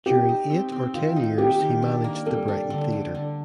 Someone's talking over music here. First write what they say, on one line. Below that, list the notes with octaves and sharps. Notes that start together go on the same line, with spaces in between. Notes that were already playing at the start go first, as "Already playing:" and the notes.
During eight or ten years he managed the Brighton Theatre.
D#4 G4
D#4
C4
C4
D#3 F4
D#4
A#3 G4
D#3
D4
A#3
G3 A4
D4
D3
D3
D3